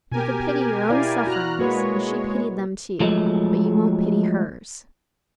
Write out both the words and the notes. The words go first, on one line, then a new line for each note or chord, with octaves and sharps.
You could pity your own sufferings; and she pitied them, too; but you won't pity hers!
B2 G4 A#4 G#5
E4 D5 F5
F#4 A#5 F6 F#6
G#3 A#3 F#4 B4 C#5
F3 F#3 G#3 A3